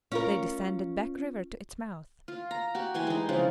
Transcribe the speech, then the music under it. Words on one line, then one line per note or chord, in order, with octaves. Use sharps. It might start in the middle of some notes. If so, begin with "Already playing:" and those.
They descended Back River to its mouth.
C#4 F4 A#4
F4
A#5
F#4 G4
E3 G4 G#5 C6
G#3 D#4
C#3 E3 F3 D4